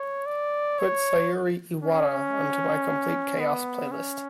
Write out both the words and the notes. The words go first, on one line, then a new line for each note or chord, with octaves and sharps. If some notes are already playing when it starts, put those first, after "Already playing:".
Put Sayuri Iwata onto my complete chaos playlist.
Already playing: C#5
D5
C#5
C#4
B3
C#4